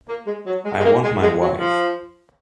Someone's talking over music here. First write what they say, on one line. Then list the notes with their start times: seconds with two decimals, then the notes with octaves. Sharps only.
I want my wife.
0.08 A#3
0.27 G#3
0.47 F#3
0.65 G#3
0.79 G#3
0.85 A#3
1.04 G#3
1.22 G#3
1.42 F#3
1.60 F3